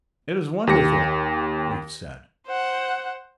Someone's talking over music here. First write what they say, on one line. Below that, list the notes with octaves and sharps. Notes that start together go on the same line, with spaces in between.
"It is wonderful," Leif said.
D#2 G4 A#6 C#7
C5 F#5